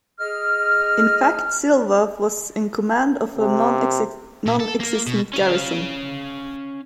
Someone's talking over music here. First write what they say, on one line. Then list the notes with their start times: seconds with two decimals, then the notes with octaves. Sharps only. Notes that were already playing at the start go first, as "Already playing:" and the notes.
In fact Silva was in command of a nonexistent garrison.
0.20 G#4 D#5 F6
3.38 C3
4.46 A#2
4.60 A4
4.80 A#3
5.07 B2
5.33 C#4 F5